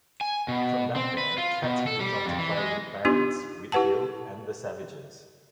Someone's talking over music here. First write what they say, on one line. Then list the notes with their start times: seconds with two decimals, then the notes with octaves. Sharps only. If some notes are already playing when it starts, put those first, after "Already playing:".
From that band, Katz moved on to play with Barrence Whitfield and the Savages.
0.21 G#5
0.48 B2
0.96 C4
1.18 B4
1.38 F4
1.64 B2
1.87 A4
2.00 G3
2.26 F2
2.39 E3
2.58 G#3
3.05 B3 D4 D#4 F4 G4
3.72 E4 G4 B4 F#5 A5